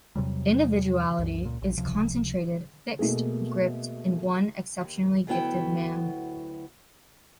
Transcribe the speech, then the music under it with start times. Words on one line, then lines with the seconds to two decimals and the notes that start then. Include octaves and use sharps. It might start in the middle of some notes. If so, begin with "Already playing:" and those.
Individuality is concentrated, fixed, gripped in one exceptionally gifted man.
0.16 E2 C3 F#3 G3
1.19 C2 F#2
1.45 C#2 A#2
1.62 A#1
1.77 C#2 C3 F3
2.99 B2 A3 A#3 G#4
4.81 D#2
5.27 D2 F#3 B3 E4 G5